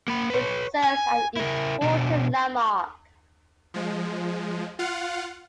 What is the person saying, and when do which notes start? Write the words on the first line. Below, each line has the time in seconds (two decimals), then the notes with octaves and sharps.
It serves as important landmark.
0.08 A#3 B5
0.30 B4 C#5
0.84 G#5
1.36 E4 A#4
1.82 B2 D4
3.74 F3 G#3
4.79 F4 F5 F#5